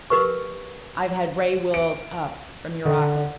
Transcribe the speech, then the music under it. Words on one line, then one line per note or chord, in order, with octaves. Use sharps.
I've had Ray Wills up from your office.
G4 A#4 B4 C#6
D7
D3